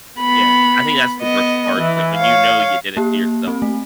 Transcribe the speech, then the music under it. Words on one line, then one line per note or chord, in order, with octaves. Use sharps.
Yeah, I think that's the worst part, was like, when you know you did it to yourself.
B3 B5
B3 D#5
E3
C#5 F5
A#3 G4
C4
A3